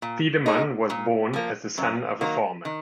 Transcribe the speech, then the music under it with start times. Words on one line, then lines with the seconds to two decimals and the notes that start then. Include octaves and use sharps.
Thiedemann was born as the son of a farmer.
0.02 A#2
0.46 G#3 D#4
0.90 A#2
1.33 F3 A#3
1.78 F#2
2.21 D#3 F#3 A#3
2.65 D#3